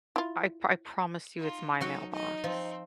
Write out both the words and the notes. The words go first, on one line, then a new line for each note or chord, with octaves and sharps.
I I promise you it's my mailbox.
E4 F4
D#4 F4
F#3 D#4 F#4 A4 G5
D#4 D#5
F3 C4